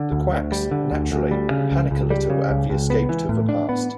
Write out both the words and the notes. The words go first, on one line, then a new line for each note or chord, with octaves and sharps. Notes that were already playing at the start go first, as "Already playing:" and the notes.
The Qax, naturally, panic a little at the escape to the past.
Already playing: D3
D2
D2
G3
D3
D2
D2
G3
C#3
C#2
C#2
G3
C#3
C#2
C#2
B3
E3
A2
D4
B3